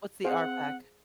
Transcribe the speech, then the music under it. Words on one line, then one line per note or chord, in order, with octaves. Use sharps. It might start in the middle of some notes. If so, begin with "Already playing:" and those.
What's the RPAC?
C4 G#4 C5 F5 F#5